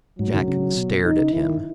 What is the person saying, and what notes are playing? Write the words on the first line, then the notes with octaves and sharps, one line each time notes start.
Jack stared at him.
G#2 F#3
A2
D#3
C#3
C#3
B2
D#4
C#3
D#3 E4